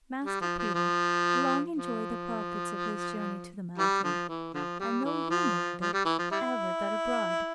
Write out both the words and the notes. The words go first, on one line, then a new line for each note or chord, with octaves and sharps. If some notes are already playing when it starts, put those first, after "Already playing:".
Master Peter long enjoyed the profits of his journey to the mountain, and no rumour of it ever got abroad.
G3
F3
F3
F3
F3
E3 G3
D3 F3
E3
D3 F3
G3
E3
F3
F3
G3
E3
F3
G3 E4